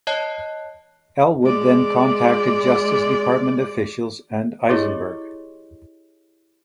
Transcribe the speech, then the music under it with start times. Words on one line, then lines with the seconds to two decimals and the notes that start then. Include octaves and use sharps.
Elwood then contacted Justice Department officials and Eisenberg.
0.07 C#5 D#5 A5 F#6 C7
1.42 G#3 D5
4.69 E4 G4 G#4 C#5 D#5 C6